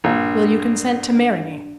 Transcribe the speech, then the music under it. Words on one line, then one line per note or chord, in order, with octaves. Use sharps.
"Will you consent to marry me?"
A#1 G2